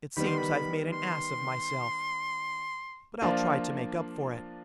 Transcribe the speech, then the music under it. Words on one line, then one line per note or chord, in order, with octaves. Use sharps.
It seems I've made an ass of myself, but I'll try to make up for it.
D#3 G3 B3 B5
C6
B5
C6
F3 A#3 D4 F4